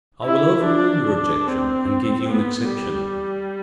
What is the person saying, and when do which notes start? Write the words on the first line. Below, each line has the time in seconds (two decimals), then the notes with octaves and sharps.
I will overrule your objection, and give you an exception.
0.24 E4
0.65 D4
1.07 D4
1.47 C4
2.30 B3
2.71 G3